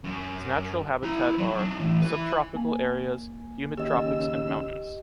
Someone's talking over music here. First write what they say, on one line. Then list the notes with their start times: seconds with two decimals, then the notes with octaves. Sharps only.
His natural habitat are: subtropical areas, humid tropics and mountains.
0.04 F#2
1.03 E4 A#5
1.38 F#3
1.59 D4 D#4
1.79 A2 E3
2.02 E4 B4
2.54 A#3 G#5
3.77 D#2 C#3 G4 D#5 E6